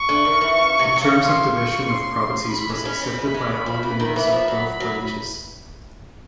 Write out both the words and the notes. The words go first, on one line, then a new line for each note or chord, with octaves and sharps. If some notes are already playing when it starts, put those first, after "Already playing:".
The terms of division of properties was accepted by all members of both branches.
Already playing: C#6
D3
D#3
E3
C#3
C3
C3
C#3
C#3 C6
C#6
C6
B5
G#3
C#4
C4
G#3
G#3
F3
E3
D#3
E3
E3
F3
F#3 B5
F#3